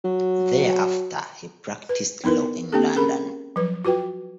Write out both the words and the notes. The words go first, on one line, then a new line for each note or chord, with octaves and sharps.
Thereafter he practiced law in London.
F#3
B4
B3 D#4 E4 A#4 B4
A#3 C4 D4 G4 A4
C#4 G#4 A#4 B5
F3 F#3 B4
F4 F#4 B4 G5